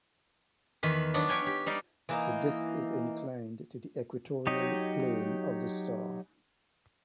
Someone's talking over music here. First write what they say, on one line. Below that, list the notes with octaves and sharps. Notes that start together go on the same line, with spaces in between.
The disk is inclined to the equatorial plane of the star.
E2 D#3 B4
F#3 B3 D4 D#4
B4 C#5 F5 G5 G#5
G4
G3 D#4 D5 F5
E3 A#3 D#4
F#3 D#4 G4 C#5 D#5